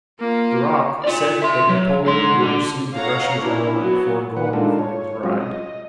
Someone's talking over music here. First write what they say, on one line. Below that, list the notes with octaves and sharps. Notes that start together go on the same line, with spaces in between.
Duroc said that Napoleon would receive the Russian general before going for his ride.
A#3 F4
F4 D5
E5 C6
F#3
G#2 C6
D3
A4 C#5 F5 F#5 A#5
A#3 C#4 D4 E4
F#3 B3
D#3 B4 F#5
G#3 D4 D#4 F4 A4 A#4
C#5
F#3 G#3 C4 C#4 F4
D#5